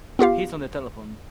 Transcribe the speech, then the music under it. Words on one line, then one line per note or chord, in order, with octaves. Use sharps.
He's on the telephone.
B3 F4 G4 F5